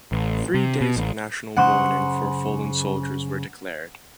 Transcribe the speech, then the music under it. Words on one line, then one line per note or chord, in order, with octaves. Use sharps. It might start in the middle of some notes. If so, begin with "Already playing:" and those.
Three days of national mourning for fallen soldiers were declared.
A1
C3
B2
A1
F#2 C#3 C5 F#5